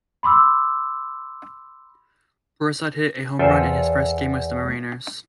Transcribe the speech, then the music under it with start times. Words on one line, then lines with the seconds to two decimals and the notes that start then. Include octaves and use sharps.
Broussard hit a home run in his first game with the Mariners.
0.23 B5 C6 D6 E6
3.39 E2 F4 A4 C5 E5 G5